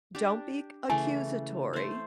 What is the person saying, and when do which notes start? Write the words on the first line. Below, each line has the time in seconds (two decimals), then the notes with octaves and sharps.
don't be c accusatory,
0.15 D4 G4
0.90 C#3 E3 A3 G#5
1.73 A3 C5